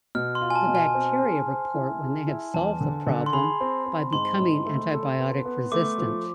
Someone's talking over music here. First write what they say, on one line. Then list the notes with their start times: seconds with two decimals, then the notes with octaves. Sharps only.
The bacteria report when they have solved the problem by becoming antibiotic resistant.
0.15 B2 F6
0.35 C6
0.41 F4
0.50 G#5
0.55 A5
0.68 B2
0.75 G#5
0.95 C4
1.22 G#4
1.48 C5
1.74 E4
2.01 G#4
2.27 E4
2.54 E2 A5
2.81 D3
3.07 D3
3.26 C6
3.33 G#4 B5
3.61 C4
3.86 C4
4.13 G#2 C6
4.39 G#2
4.66 A3
4.93 A4
5.20 B3
5.45 B3
5.72 A3 D6
5.98 F3